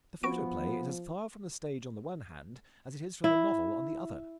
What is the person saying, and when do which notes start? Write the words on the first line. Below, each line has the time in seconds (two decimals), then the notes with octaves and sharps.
The photoplay is as far from the stage on the one hand as it is from the novel on the other.
0.23 F3 B3 F#4 D7
3.24 E4